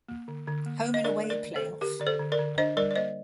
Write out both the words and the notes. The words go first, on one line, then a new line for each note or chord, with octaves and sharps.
Home and away playoff.
A#3
D3
D3
A#3
A#3
D#5
D4 A#4 D5
A3
A#4 D5
D#3
A4 C5
D#3
D3 G4 A#4
D3 D5
A4 C5
D3
A#4 D5
D3
D4 C5 D#5
G3 A#4 D5
D5
A#3 C5 D#5